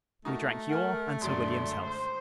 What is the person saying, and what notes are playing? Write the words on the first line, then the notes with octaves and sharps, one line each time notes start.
We drank your and Sir William's health.
A3 D#4 F#4 A#4
A#4 F#5 G#5
A1 F#2 D3 F#3 G#3 D5 C6
C5